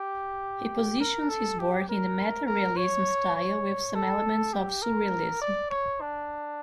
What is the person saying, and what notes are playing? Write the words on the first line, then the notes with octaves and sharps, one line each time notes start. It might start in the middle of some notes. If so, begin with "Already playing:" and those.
He positions his work in the meta-realism style with some elements of surrealism.
Already playing: G4
A#4
A4
G4
A#4
A#4
C#5
C#5
A4
G4
A#4
D5
C#5
D4